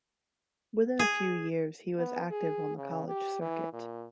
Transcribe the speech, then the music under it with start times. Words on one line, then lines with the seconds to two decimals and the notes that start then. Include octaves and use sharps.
Within a few years, he was active on the college circuit.
0.99 G#4
1.98 B3
2.31 G#4
2.77 C#3
3.08 G4
3.41 E3
3.73 A#2